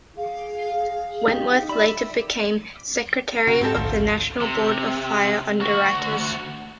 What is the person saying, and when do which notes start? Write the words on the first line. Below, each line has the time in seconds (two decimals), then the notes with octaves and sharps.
Wentworth later became secretary of the National Board of Fire Underwriters.
0.17 G#4 F5
1.28 D#4 G4
1.69 D5 E5 B5
3.47 C#3 F#4 A#4
3.61 G#2 C4 G4 A4
3.75 A1 D2 G#2 F3
4.41 C3
5.61 D2 F#4